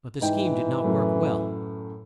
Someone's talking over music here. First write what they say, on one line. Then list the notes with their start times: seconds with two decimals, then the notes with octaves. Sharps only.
But the scheme did not work well.
0.22 G#2 E3 D#4 G5
0.84 F#2 A2 F#3